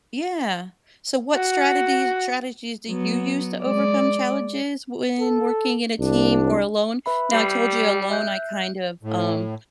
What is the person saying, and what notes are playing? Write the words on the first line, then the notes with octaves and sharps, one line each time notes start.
yeah, so what strategies strategies do you use to overcome challenges when working in a team or alone? Now, I told you alone, I kind of, um,
F#4
F#3 B3
G#3 D5
A4
C2 D4
B4 E5 B5
G3 G6 C7
E5 F#6 G6
A2